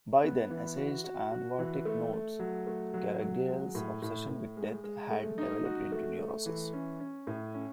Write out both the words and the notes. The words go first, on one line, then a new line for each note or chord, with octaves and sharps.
By then, essayist Ion Vartic notes, Caragiale's obsession with death had developed into "neurosis".
B3
E3
F#4
F#4
F#4
E3
A3
A3
F#3
A3
F#3
F#3
G#3
A2
A2
A2
G#3
G#3
A3
D#4
F#4
A3
A3
E3
C#4
C#4
A2
C#4